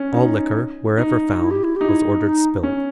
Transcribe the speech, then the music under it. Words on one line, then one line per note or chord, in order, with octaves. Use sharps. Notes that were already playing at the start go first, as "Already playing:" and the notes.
All liquor, wherever found, was ordered spilled.
Already playing: C#4
D#4
D#4
E4
G4
E4
D#4 G4
E4
D#4
C#4